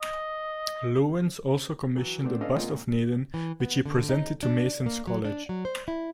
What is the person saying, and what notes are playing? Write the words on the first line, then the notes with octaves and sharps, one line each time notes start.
Lewins also commissioned a bust of Naden which he presented to Mason's College.
D#5
E3 F#3
A3 B3 C4 D4
C#4 D4 A4 B4 D#5 F5
A#2 D3 G#3 A#3 C4 F4
A#2
E3
B3
D3
D#4
D4
A#3
F#3
D4
F#3
C5
E4